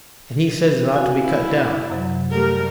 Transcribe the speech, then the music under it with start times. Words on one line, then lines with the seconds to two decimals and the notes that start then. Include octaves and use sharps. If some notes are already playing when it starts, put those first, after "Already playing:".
And he says it ought to be cut down.
0.92 F#4 F5 G#5
1.23 E4
1.90 F#2 C3 F#3
2.31 G3 A3 A#4